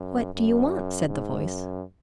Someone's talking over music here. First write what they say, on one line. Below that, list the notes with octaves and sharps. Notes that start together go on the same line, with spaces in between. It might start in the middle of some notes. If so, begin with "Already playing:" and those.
"What do you want?" said the voice.
Already playing: F#2
F#2
G#2
F#2